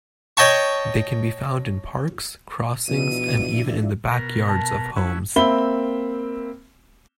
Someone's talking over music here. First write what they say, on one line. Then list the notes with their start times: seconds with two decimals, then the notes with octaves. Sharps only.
They can be found in parks, crossings, and even in the backyards of homes.
0.37 C#5 D#5 G5 A5 C#6
2.88 B2 F3 D4 E4 D#7
4.11 B2 A#4
4.49 A5
4.96 C#4 E4 F#4
5.36 A#3 C4 E5 B5 G7